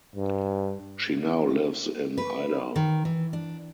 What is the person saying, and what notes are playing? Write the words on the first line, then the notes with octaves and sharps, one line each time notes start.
She now lives in Idaho.
G2
B4
D#3
E3
D4